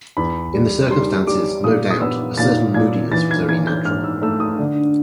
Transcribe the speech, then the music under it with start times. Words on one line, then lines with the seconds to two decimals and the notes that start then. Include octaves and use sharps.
In the circumstances, no doubt, a certain moodiness was only natural.
0.17 E2 B5
0.54 G3
0.90 G3 C6
1.27 G3 D6
1.64 A#2 D#6
1.90 D#6
2.01 B3 E6
2.38 A#2 A6
2.74 A#2 G#6
3.12 E3 A6
3.31 G#6
3.49 E3 G#6
3.67 G6
3.85 G#2 F6
4.04 E6
4.22 A3 E6
4.40 D#6
4.59 D3